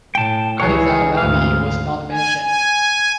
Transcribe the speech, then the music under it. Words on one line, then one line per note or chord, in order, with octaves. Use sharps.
Aliza Lavie was not mentioned.
A2 G5 A5
C#2 E3 G#4 C#5
D2 G#2 F5
G#5
G#5